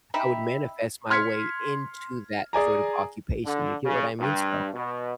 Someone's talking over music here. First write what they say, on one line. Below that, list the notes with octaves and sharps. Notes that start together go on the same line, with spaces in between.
I would manifest my way into that sort of occupation, you get what I mean? So,
D#4 G4 E5 B5
C6 F6 G#6 B6 C#7
G#4 D5 G#5 A#5
D3
C#3
G2
B2